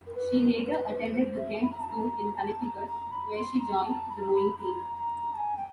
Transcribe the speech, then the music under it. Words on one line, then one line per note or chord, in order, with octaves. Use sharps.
She later attended the Kent School in Connecticut, where she joined the rowing team.
A#4
B4
A#4
B4
C5
B4
C5
E5
B5
A#5
A5
A#5
A5
A#5
A#5
B5
C6
A#5
A5
B5
A#5
B5
A#5
A#5
A5
G#5
G5